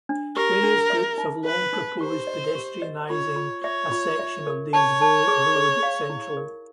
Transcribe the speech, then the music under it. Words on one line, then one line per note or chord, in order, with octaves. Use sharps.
Various groups have long proposed pedestrianising a section of Des Voeux Road Central.
D4
G4 A#4
D4
E5
D#4
B4 E5
D#4
G4 C5
D#5
G4
D#5
F4 C#5
F4
C#5 E5
F4
E5
A#4
C#5 A5
A5
G#4
G#4
F5
E4
A#4